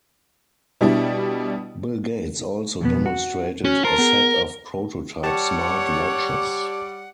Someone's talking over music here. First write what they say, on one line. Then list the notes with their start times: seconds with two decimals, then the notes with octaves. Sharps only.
Bill Gates also demonstrated a set of prototype smart watches.
0.81 B2 G3 D4 E4
2.81 F2 B2 B3
3.06 F#4
3.64 C#4 F#4
3.84 A#4 C5 A5
3.98 B3 G#4
5.23 G3 G4 C#5 D5 F#5 A5